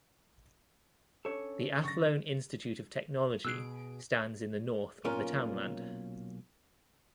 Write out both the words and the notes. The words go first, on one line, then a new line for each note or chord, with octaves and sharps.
The Athlone Institute of Technology stands in the north of the townland.
C#4 D4 A4 C#5
D3 D#3 F#3 C#6 A6 A#6
B2 G#4 E6 F#6 C7 D7
B1 A#2 C#4 F4 A#4